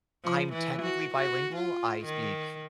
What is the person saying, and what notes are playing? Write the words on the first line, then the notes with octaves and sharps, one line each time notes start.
I'm technically bilingual, I speak
F3
E3
F#4
F#4
F4
D#3